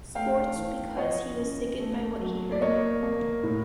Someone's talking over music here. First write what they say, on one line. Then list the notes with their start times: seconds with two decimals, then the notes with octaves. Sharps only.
Sports because he was sickened by what he heard.
0.15 A3 F5 G5
0.56 E3
0.97 F3 C#5 D#5
1.38 C#4
1.80 A3
2.20 F#3
2.52 D5
2.61 A#3 C#5 D#5
3.03 A#3
3.43 A2